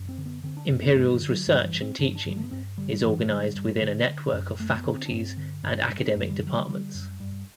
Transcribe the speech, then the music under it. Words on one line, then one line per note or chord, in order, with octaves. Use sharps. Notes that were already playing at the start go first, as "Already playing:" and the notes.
Imperial's research and teaching is organised within a network of faculties and academic departments.
Already playing: F#2
C4
D3
B3
D3 C4
D4
F#2 C4
B3
G2 A3
E3
D3
F#3
G2 F#3
E3
G2
C4
G2 D4
D4
G2
G3
A3
B3
G2 C4
D3 G3
G3
G2 E3
A3
D3 G3
G2
D3
D3
F#2
F#2 A3
A3
B3
D3
C4
D4
G2 C4
D3
G2 D4
D4
G2
C4
F#2 A3
G3
D3 F#3
G3
D3 G3
F#2
G2